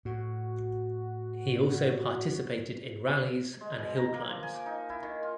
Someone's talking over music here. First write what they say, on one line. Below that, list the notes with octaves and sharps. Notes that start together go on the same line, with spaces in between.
He also participated in rallies and hill-climbs.
A2 F#4
G#3
B2
A#5
A#3
F3
G#5
D6
D#4
E4
D#3
F4